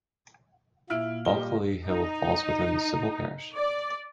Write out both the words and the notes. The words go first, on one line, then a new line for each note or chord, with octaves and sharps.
Bulkeley Hill falls within the civil parish.
A#2 A#3 E4 F6 D7
G3 D#5 G7
D#4
D5